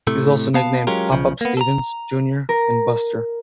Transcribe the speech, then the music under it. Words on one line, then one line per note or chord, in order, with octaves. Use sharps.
He was also nicknamed "Pop-up Stephens", "Junior", and "Buster".
A2 C3 A3
B3 F5 A5
F#3 G#3 C#4 F4 G4 A#4
B1 C#3 F3
A#3 B3
A4 A#5
A#4